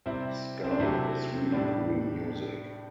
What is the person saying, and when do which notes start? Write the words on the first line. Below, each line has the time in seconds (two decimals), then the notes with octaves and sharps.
Ska is really cool music.
0.06 C3 G3 C4 E4
0.64 C4
0.71 D4
0.79 C3 F#3 A3 C4 E4
1.52 A2 G3 D4